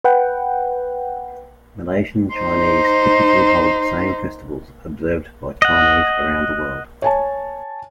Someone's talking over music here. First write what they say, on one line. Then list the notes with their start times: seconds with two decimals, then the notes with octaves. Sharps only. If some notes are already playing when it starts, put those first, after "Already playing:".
Malaysian Chinese typically hold the same festivals observed by Chinese around the world.
0.04 B4 F#5 G5
2.34 D#4 C5
5.62 D#5 F#5
7.02 C#5 G#5 A5